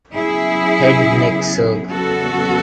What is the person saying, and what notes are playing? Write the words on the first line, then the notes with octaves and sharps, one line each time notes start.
Head Neck Surg.
C#3 F#3 B3 E4 G#4
E2 C#3 F#3 B3 F#4 A4